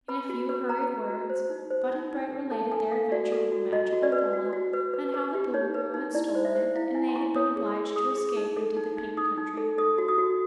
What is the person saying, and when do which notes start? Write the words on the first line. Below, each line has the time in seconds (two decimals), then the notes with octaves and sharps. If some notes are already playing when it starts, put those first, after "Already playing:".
In a few hurried words Button-Bright related their adventure with the Magic Umbrella, and how the Boolooroo had stolen it and they had been obliged to escape into the Pink Country.
0.08 B4 B5
0.29 F#4
0.49 B4
0.69 B4 A#5
0.90 B4
1.09 F#4
1.30 C5
1.50 D#4
1.70 C5
1.90 D#4
2.11 D#4
2.31 D#4
2.51 A4 A5
2.71 A4 G#5
2.92 A4 F5
3.12 F#4 D5
3.32 A4
3.52 F#4
3.73 F#4 D#5
3.93 F#4
4.03 D5
4.12 B4
4.33 F#4
4.53 F#4
4.73 B4
4.94 B4
5.14 B4
5.34 G4
5.54 D#4 C#5
5.74 B4
5.94 D#4
6.14 E4 D5
6.35 C5
6.45 E5
6.55 C5
6.75 E4 F5
6.95 E4 G#5
7.09 C6
7.16 E4 C#6
7.36 C#5 D#6
7.56 G#4
7.66 E6
7.76 G#4
7.96 G#4 D#6
8.17 G#4
8.37 D#4
8.57 A4
8.77 D#4
8.97 D#4
9.17 D#4 D#6
9.37 D#4
9.57 A4
9.78 A4 D#6
9.98 F#4
10.08 D#6
10.18 F#4